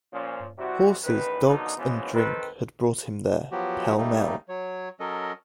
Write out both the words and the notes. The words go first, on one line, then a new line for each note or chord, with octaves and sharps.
Horses, dogs, and drink had brought him there, pell-mell.
A#2 F3 C#4
C3 G3 C4 E4 F#4
A1 E2 D#3 B4
B2 D3 F#3 A#3 D#4
B2 E3 F3 G#3 B3 C#4
D#3 C4 A4 B4
F3 F#3 B3 F#4 G4
G3 A3 A#3 D#4
F#3 C#5
F#3 C#4 A4 A#4 D#5